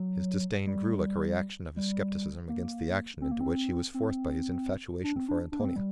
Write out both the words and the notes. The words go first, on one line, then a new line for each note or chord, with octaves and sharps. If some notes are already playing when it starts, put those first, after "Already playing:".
His disdain grew like a reaction of his scepticism against the action into which he was forced by his infatuation for Antonia.
Already playing: F#3
G3
G3
A#3
C4
A#3
C4
C4
D4
C4
D4
D4
A#3
C4
G3